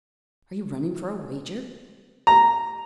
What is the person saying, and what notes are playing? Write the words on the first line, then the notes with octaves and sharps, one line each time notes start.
"Are you running for a wager?"
A#5